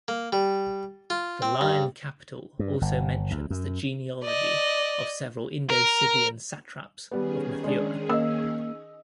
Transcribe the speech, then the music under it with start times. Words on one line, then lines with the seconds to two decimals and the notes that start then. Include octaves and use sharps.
The lion capital also mentions the genealogy of several Indo-Scythian satraps of Mathura.
0.08 A#3
0.32 G3
1.10 F4
1.42 C4
1.61 G2
2.59 G2
2.81 G1
3.31 D2
3.50 F#2
4.24 D5 D#5
5.70 A#4
7.11 D#3 G3 B3 C#4 G#4
7.64 G#3 D4
8.09 A#3 D#5 E6